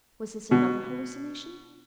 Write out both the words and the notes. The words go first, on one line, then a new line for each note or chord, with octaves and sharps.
Was this another hallucination?
B2